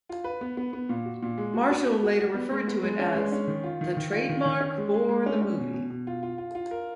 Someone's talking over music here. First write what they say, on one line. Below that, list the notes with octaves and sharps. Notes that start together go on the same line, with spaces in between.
Marshall later referred to it as "the trademark for the movie".
F4
B4
B3
B3
B3
A#2
F#4
A#2
G#3
F#4
F#4
B3
F#4
F#4
B3
G#3
B3
G#3
C#4
G#3
C#4
D#3
F4
D#3
D#3
F4
D#3
D#3
C#4
G#3
G#3
G#3
C#4
C#4
B2
B2
B2
F4
F4
F4
F4
A#4